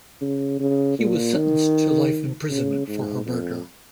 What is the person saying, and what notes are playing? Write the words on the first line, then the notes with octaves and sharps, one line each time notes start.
He was sentenced to life imprisonment for her murder.
C#3
C#3
A#2
D#3
C#3
G#2
F2